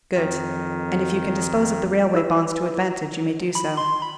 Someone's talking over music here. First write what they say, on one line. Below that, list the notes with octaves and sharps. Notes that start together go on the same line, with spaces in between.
"Good; and if you can dispose of the railway bonds to advantage, you may do so."
F2 D#3
E4 B4 E6
B5
C6
B5